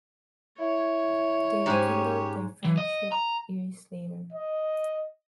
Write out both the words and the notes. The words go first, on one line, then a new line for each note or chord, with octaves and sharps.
They rekindled their friendship years later.
E4 C#5
G#2 C#4 G4 G#5
E3
D#5
A#5
D#5